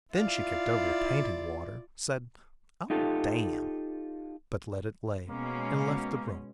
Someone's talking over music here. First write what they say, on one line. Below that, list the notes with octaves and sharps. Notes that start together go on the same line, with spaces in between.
Then she kicked over the painting water, said, "Oh, damn!"--but let it lay--and left the room.
E4 F4 D5 F5
D#4 F4 G4 A4
B2 G#3 A#3 C#4